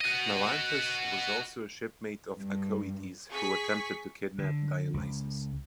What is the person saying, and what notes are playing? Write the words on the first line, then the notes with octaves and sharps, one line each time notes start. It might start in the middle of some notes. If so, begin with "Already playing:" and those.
Melanthus was also a shipmate of Acoetes who attempted to kidnap Dionysus.
F#4 D#5
G2
G#4 C#6 B6
D3
C#2